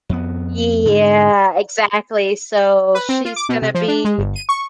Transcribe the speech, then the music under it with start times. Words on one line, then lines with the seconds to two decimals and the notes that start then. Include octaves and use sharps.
Yeah, exactly, so she's gonna be
0.09 F2 B3
0.85 G#2 D3
2.95 B4
3.09 C4
3.25 F4
3.36 D6
3.49 B2
3.62 C3
3.74 F3
3.88 D4
4.05 G#3
4.18 G1
4.36 D#7
4.49 C#6